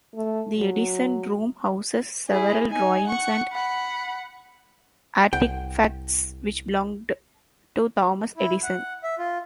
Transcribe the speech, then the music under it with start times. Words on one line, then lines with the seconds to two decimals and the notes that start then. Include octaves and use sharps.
The Edison room houses several drawings and artifacts which belonged to Thomas Edison.
0.15 A3
0.57 F#3
2.30 E4 G#4
2.70 D#4 G#5
3.07 F#5 C#6
3.52 F#5 B5
5.33 C2 F#5 G5
8.37 E4
8.63 F#5
9.03 E5
9.19 F4